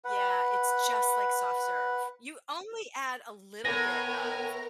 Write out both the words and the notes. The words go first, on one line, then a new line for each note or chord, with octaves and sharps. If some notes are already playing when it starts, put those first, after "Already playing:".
yeah, it's just like soft serve. You only add a little bit of,
B4 F#5
A2 B3 A#4 G#5 A#6